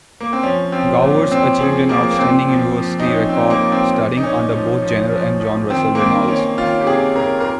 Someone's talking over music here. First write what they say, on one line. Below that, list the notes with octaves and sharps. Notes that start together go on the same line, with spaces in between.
Gowers achieved an outstanding university record, studying under both Jenner and John Russell Reynolds.
A#3
C4
F3 C#4
F3 C4
A#2
A#2 C4
F3 G#4
F3 A#3
A#3
A#2 C4
F3
F3
D#4
F3 C#4
C4
A#2
A#3
F3
C4
A#2
D#4
A#2 C#4
F3
F3
F3
F3
D#3 C4
A#3
D#3 C4
D#3 C#4
D#3 F4
G4
C3 G#4
C3 A#4
A#4